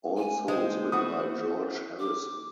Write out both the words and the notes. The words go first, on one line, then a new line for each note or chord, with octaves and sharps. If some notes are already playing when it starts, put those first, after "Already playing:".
All songs written by George Harrison.
G#5
G#3 C5
E3 F#4 F#5 D#6
D6